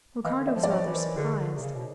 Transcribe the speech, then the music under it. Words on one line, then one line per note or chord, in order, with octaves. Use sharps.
Ricardo was rather surprised.
E3 D#5 F5
D#3
D3
D#3 D5 E5
F3
D5
C#5 D#5
E3
A#4 C5
D3 G#4 A#4
D3
C3
C#3
B2